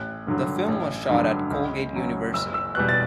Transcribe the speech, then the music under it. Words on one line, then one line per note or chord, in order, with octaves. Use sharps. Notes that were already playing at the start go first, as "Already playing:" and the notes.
The film was shot at Colgate University.
Already playing: A1 F#6
G2 D3 F#3
A1
G2 D3 F#3
C#2
C#3 F#3
F#1 E6
E6
E2 B2 G3 F#6
A6